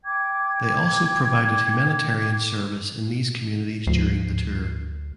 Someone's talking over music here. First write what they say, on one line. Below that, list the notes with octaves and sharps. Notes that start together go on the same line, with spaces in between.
They also provided humanitarian service in these communities during the tour.
G5 D6 G#6
D2 G#2 F3 C7